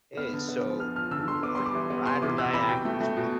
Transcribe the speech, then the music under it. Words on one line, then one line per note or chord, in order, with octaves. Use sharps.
Hey, so who are your ride or die actors, man,
B3 F6
D3
B3
F3
F3 F6
F3 F6
D3 E6
D3 C6
B3 D6
G3 C6
D6
E3
B3
C3 C6
E3 D6
C3 E6
E3 B5
B2 G5
A3
A3
B2